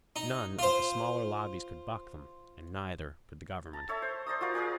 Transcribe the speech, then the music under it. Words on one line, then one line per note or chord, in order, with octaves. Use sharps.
None of the smaller lobbies could buck them, and neither could the government.
D#4
F4 C5
A5 A#5
A4 C#5 E5
C5
C5 D5 A#5 D#6
F4 F#4 A#4 D5
G#4 A#4 D5 G#5